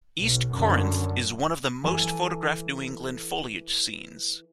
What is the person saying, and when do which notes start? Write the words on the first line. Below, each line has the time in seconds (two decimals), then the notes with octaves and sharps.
East Corinth is one of the most photographed New England foliage scenes.
0.18 B1
0.52 F#2 D3
1.83 E3 A4 G#5